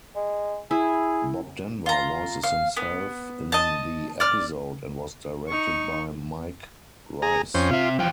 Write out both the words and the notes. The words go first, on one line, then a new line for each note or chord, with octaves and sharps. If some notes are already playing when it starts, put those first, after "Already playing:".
Bob Denver voices himself in the episode and was directed by Mike Reiss.
G#3
E4 G#4
F4 A#5
F5
B3
D#5 A5
D5 F6
D#4 C#6
G#4 A#5
F2 C#4 C5
C3 F4 E5
E2 F3 G5